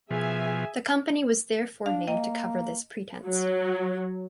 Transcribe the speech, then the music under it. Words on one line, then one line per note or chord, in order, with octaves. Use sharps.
The company was therefore named to cover this pretence.
B2 F3 G#4 E5 G#5
D4 F5
A#3 D#5 G5
F#3